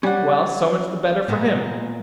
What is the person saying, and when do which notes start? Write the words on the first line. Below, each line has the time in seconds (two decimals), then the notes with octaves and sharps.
"Well, so much the better for him."
0.03 G3 C#4 F#5
1.28 A#2 G#3 B3